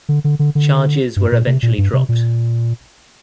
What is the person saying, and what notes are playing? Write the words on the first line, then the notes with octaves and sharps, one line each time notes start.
Charges were eventually dropped.
D3
D3
D3
D3
G2
A#2
C3
A#2
G2
C3
A#2